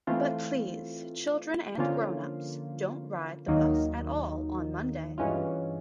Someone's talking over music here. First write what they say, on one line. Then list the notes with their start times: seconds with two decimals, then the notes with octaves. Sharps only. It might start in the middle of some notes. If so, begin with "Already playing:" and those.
But please, children and grown-ups, don't ride the bus at all on Monday.
0.07 E3 A3 C4 F4
1.78 D3 F3 A#3 C#4 F4
3.48 D#2 D#3 F#3 A#3 D#4
5.18 G2 E3 G#3 C#4 F4